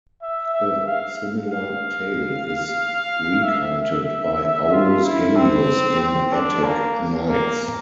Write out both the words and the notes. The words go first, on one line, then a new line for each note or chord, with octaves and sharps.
A similar tale is recounted by Aulus Gellius in "Attic Nights".
E5
E5
F5
F5
E5
F4
E4
C4
C4
D4
A#3
A#3